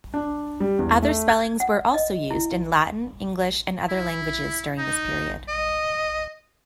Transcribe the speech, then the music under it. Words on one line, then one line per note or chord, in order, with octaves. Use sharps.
Other spellings were also used in Latin, English and other languages during this period.
D4
G3
E2
A3
G#6
F#5
D#5
E4
E4
D#4
D#5